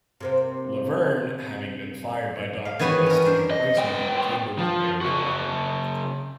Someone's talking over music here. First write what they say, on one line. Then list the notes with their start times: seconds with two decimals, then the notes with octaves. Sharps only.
Laverne, having been fired by Doctor Weston's replacement, came to work there as well.
0.21 C3 A#3 C4
2.65 F5
2.79 D#3 E3 B3 C#5 G#5
3.06 C#4 A#4
3.25 D4 C5
3.50 D#5
3.78 B3 G5
4.59 F3
5.01 C#3 F#4